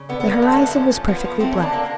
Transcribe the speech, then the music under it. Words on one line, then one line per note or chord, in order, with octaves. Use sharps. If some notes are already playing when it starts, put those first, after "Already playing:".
The horizon was perfectly black.
Already playing: C#3
D3 B3
B3
D3
A#3
D3 A3
A#3
A3
B3
F3 C#4
F3
F3 B3
F3
A3 C4
C#4
A3
D4
D3 A#3